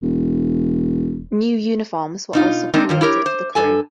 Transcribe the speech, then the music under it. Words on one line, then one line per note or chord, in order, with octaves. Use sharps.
New uniforms were also created for the crew.
E1
B2 D#4 F4
G#3 C4 D4 D#4 A#4
G2 D#3 F4
E4 G4 A#4 C#5
C5
G2 A4 G#5